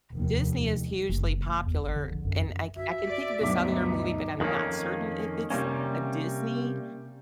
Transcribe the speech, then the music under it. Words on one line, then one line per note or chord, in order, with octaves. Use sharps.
Disney is hugely popular and I c I can think of this other movie, but I'm not certain if it's a Disney,
F1 D#2
F#1
E2
G#1
D3
A#1
F#2
F#4 E5
D5
D2 G2 B2 F#3 D#4 D6
F2 D#3 G#3 A#3 C#4
C3 G3 G#3 A#3 C#4